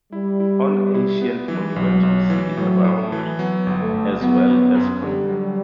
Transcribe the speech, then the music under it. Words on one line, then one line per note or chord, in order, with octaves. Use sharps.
On ancient monuments we see it round as well as conical.
G3 E4
E4
B3
E4
B3
E3
B1 F#3
B1
E3
A2 F#3
A2
A3
E3
F#3 B3
G1
A3
G1
F#3 B3
G1
F#2
D3 G3
F#3